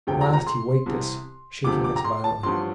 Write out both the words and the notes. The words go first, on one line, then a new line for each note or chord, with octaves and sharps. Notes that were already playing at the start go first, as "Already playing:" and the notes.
At last he waked us, shaking us violently.
E1 D2 C3 F3 G5
A#5
A#5
C6
C2 C3 E3
D2 C3 F3 D6
D6
A#5
C6
A5
A1 G2 F3 C6